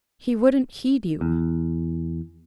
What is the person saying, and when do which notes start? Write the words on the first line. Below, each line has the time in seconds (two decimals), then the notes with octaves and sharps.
"He wouldn't heed you."
1.21 E2